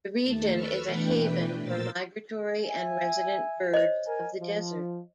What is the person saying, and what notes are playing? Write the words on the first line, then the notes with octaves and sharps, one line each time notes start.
The region is a haven for migratory and resident birds of the desert.
D#2 A3 A5
A4 B4 C#6 E6 F6
B2 E3 A3 D4 B4 G5
A#2 A#4 C5 E6 A6
E5 G#5
C5 C#5 D#5
A#4 G#5
F3